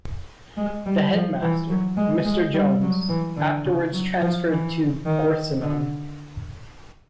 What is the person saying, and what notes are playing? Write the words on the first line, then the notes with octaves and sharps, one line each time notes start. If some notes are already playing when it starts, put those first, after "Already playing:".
The Headmaster, Mr. Jones, afterwards transferred to Gorseinon.
G#3
G3
F3
E3
F#3
G#3
G#3
G3
F#3
E3
D3
C#3
F#3
F3
E3
D#3
D3